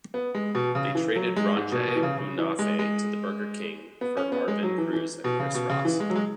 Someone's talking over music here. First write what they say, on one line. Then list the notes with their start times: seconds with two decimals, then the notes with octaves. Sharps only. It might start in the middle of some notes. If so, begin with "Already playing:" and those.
They traded Ronjay Buenafe to the Burger King for Marvin Cruz and Chris Ross.
0.14 B3
0.35 G#3
0.55 B2
0.75 C#3
0.95 E3
1.16 F#3
1.36 G#3
1.57 G#2
1.72 B2
1.88 B2
1.96 E3
2.03 C#3
2.18 C#3
2.38 E3
2.59 G#3
2.79 G#3
4.01 B3
4.17 C#4
4.32 B3
4.48 G#3
4.63 F#3
4.78 E3
4.93 E3
5.24 B2
5.40 C#3
5.55 B2
5.69 C#3
5.85 E3
6.00 G#3
6.10 F#3
6.16 G#3